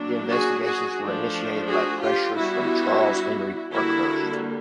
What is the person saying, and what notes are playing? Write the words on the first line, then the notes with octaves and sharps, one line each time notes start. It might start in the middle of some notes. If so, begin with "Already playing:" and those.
The investigations were initiated by pressure from Charles Henry Parkhurst.
Already playing: F#3 A#3 D4
F#4 G#4
F#4 G#4
F3 A3 D4
F#4 G#4
F4 G4
G3 B3 D4 E4 F#4
D3 G3 A#3 E4 F#4